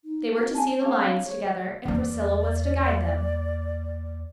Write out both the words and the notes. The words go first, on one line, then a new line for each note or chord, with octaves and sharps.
They were to see the lions together, and Priscilla was to guide them.
D#4
C4 F#4
G#5 A5
D4 C#5 F5
C#5
E2 A#3 D5